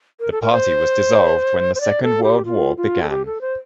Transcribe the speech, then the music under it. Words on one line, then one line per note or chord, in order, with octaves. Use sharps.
The party was dissolved when the Second World War began.
A#4
A4
A#4
C5
C5
D5
A4
G4
F4
F4
A4
G4
A4
C5